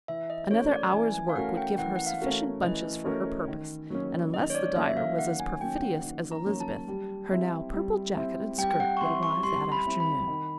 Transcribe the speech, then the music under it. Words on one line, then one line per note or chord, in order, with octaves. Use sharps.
Another hour's work would give her sufficient bunches for her purpose, and unless the dyer was as perfidious as Elizabeth, her now purple jacket and skirt would arrive that afternoon.
E3 E5
D#5
A3 C#4 F#4 A#4 C#5
D5
E3 G#5
G#5
F5
A3 C#4 F#4 A#4 F#5
G5
E3 F#5
F#5
F5
A3 C#4 F#4 A#4
E3 D#5
A3 C#4 F#4 A#4
D#3
F#3 A#3 C#4
D#3 D#5
C#5
D5
F#3 A#3 C#4 E5
E5
F5
D#3 F#5
G#5
F#3 A#3 C#4 G5
F#5
D#3
A#5
F#3 A#3 C#4
A5
G3
C4 E4
G3
C4 E4
G3 G5
G5
F#5
C#6
C4 E4 C6
C#6
G3 C6
B5
C4 E4
B5
D#3